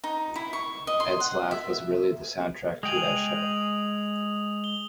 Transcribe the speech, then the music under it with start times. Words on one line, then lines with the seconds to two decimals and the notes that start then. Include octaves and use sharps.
Ed's laugh was really the soundtrack to that show.
0.04 D#4
0.36 E4
0.53 C#6
0.87 D#5
1.00 C6
1.20 F#5
1.51 E5
2.83 G#3 G5 G#5 D#6 F7 F#7
4.64 G7